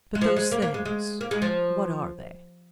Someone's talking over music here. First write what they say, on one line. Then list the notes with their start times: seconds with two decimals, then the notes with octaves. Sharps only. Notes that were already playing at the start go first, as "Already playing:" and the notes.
"But those things--what are they?"
0.15 G#3
0.21 F3
0.36 G#3
0.52 A#3
0.62 A#3
0.74 G#3
0.85 G#3
1.21 A#3
1.31 G#3
1.42 F3